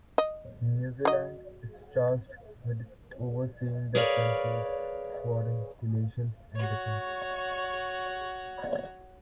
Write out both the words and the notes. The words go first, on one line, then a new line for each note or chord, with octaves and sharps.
New Zealand is tasked with overseeing the country's foreign relations and defense.
D#5
F#3 D#5
G#4 A#4 B4 C#5 D5 F5
F#4 C#5